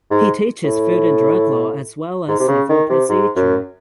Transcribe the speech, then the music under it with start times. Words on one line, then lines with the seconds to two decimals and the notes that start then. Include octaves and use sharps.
He teaches food and drug law as well as civil procedure.
0.11 G#2
0.64 A2
2.28 G#2
2.39 C3
2.48 C#3
2.69 D#3
2.89 C3
3.09 G#2
3.36 F#2